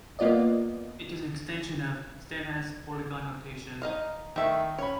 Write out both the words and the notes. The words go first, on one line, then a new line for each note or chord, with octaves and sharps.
It is an extension of Steinhaus's polygon notation.
A#3 B3 F4 D5 D#5
D#4 D#5 F5
D#3 A3 E5
C#4 C#5 B5